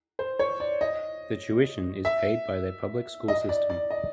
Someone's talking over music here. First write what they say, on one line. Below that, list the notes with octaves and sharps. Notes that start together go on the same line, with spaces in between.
The tuition is paid by their public school system.
C5
C#5
D5
D#5
E5
D#5
D5
D5
D#5